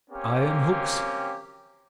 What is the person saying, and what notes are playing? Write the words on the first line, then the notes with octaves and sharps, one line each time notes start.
Iron hooks?
A#3 C4 C#4 G4